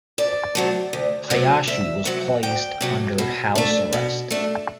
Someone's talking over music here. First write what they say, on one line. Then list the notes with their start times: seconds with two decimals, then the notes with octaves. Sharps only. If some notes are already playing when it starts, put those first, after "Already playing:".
Hayashi was placed under house arrest.
0.18 D2 D5
0.55 C3 F#3 A3
0.93 D2
1.30 C3 F#3 A3
1.68 D2 E5
2.05 C3 F#3 A3 F#5
2.43 D2 G5
2.81 C3 F#3 A3
3.18 B2
3.55 A3 D4
3.93 B2
4.31 A3 D4